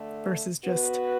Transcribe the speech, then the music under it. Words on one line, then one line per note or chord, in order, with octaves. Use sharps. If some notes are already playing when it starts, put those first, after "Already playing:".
versus just,
Already playing: D3 A3
B2 B3 F#4 B4